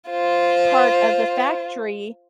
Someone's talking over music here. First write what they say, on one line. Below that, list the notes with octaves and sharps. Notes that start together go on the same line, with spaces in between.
part of the factory
F4 C5